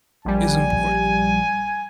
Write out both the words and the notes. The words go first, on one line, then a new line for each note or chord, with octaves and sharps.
is important
A#1 G3 G#5